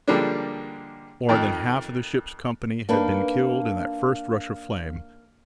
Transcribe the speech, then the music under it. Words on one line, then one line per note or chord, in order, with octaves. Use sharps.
More than half the ship's company had been killed in that first rush of flame.
D3 F3 G3 G#3 A#3 D4
F2 D#3
A#3 D4 D#4 B4